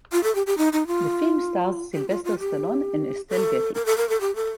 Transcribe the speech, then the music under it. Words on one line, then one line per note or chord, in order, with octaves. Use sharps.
The film stars Sylvester Stallone and Estelle Getty.
F4
A4
G4
G4
D#4
D#4
F4
G4
F4
F4
G4
A4
A#4
A4
A#4
A4
G4
A4